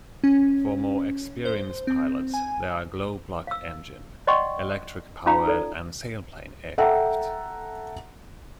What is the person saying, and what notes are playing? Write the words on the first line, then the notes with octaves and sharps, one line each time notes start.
For more experienced pilots there are glow plug engine, electric powered and sailplane aircraft.
C#4
C5
C4
G#5
F5 E6
D5 D#5 F#5 G5 C6 C#6
C#4 D#4 F4 F5 A#5
A4 D5
A4 E5 F#5 G5 A#5